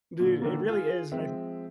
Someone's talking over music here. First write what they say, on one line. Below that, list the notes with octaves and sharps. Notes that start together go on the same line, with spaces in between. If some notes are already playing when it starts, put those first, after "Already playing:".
Dude, it really is, and I
A#2 D3
D3 D#3 A#3
F4 G#4
F3 G#3 C4 E5